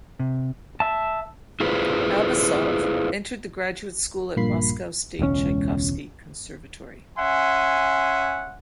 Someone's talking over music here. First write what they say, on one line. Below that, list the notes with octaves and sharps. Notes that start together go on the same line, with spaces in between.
Abbasov entered the graduate school at Moscow State Tchaikovsky Conservatory.
C3
E5 A5
E4 F4 G#4 B4 C5
A#1 G2 A#3 F4 B5 C7
E1 C#2 C#3 C#4
C#4 E5 F#5 G#5 C6